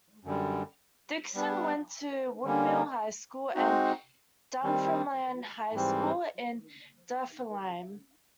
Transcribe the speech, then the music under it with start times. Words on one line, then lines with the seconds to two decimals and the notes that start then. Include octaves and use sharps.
Dickson went to Woodmill High School and Dunfermline High School in Dunfermline.
0.24 F#2 D3 G3
1.34 G3 B3 D4
2.44 D3 G3 A#3 C#4
3.54 G#3 C4 D#4 F#4
4.63 D#3 G3 C4
5.73 G#2 E3 G3 C4